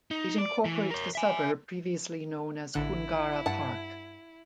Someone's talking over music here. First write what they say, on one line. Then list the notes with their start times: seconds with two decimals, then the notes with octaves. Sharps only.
It incorporates the suburb previously known as Koongarra Park.
0.11 D#4
0.38 D5
0.65 E3
0.90 A#4 C#5
1.15 E5 G#5
2.74 A1 D3 E4 F#6
3.46 G2 F#5 A5